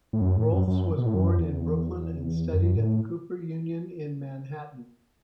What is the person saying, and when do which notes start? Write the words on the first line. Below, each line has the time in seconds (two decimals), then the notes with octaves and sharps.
Rohlfs was born in Brooklyn and studied at the Cooper Union in Manhattan.
0.13 A2
0.21 F#2
0.37 A2
0.52 F#2
0.67 F#2
0.98 B2
1.06 A2
1.14 F#2
1.37 E2
2.53 F#2
2.76 A2